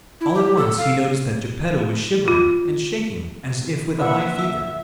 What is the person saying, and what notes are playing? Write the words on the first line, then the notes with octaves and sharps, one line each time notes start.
All at once he noticed that Geppetto was shivering and shaking as if with a high fever.
E4
G4
A4
F5
F4
D3 F3 A#3 E4 F4 B4 E5 F#5